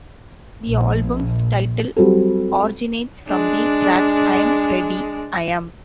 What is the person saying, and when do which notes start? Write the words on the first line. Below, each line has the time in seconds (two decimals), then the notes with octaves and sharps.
The album's title originates from the track I'm Ready, I Am.
0.66 A#1
1.96 F#3 G3 C4 A4
3.28 G#3 D4